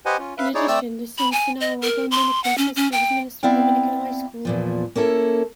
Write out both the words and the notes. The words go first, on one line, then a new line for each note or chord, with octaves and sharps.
In addition, the Sinsinawa Dominican Sisters administer Dominican High School.
G4 B4 C5 D#5 F#5 G#5
C#4 F4
B4 E5 F5
D#4 E4 G#4 C#5 D5
A3 C4 D5 E6
B5
G#5
D#5
A#4
C6
F#5
C#4
C#4
G5
B3 C4 E4 D5 F5 G5
E2 A#2 F3
A#3 C#4 E4 A4